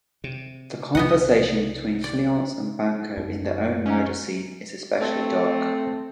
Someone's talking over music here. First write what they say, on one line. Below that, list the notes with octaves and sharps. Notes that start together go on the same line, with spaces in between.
The conversation between Fleance and Banquo in their own murder scene is especially dark.
C3
C2 C#3 F3 B3 D#5 F#5
D5
F#2 D#4
D#4 G4
C#4 F5 A#5
A3 C4